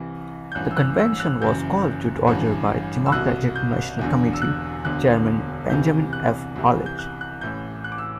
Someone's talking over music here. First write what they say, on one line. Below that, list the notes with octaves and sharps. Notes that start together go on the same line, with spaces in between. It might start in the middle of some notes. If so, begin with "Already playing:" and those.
The convention was called to order by Democratic National Committee chairman Benjamin F. Hallett.
Already playing: C2 C3 E3
G6
A1 G2 E3 F#6
E6
F#6
E6
F#6
F#1 F#2 E3 G6
A1 G2 E3
E6
C2 B2 F#6
G6
E1 E2 D3
E6
F#6
E1 D2 D3 F#6
C2 C3 E3 G6
F#6
C2 C3 E3
G6
F#6
F#6
A1 A2 E3 G6
F#6
D6
E6